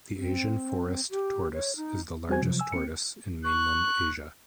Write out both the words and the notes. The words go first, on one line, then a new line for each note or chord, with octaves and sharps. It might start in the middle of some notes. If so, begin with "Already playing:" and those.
The Asian forest tortoise is the largest tortoise in mainland Asia.
C4
G4
C#5
D#4
G3 C4 F#4 C5 G#5 G#6
C3 F3 F#3
G#5 E6
C4 C#7
C#6 F#6